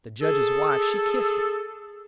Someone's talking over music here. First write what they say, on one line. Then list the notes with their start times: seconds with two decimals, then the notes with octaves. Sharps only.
The judge's wife she kissed it.
0.22 G#4 A4